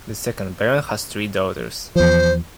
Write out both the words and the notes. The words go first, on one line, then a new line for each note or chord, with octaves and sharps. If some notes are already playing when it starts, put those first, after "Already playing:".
The second baron has three daughters.
E2 F3 C5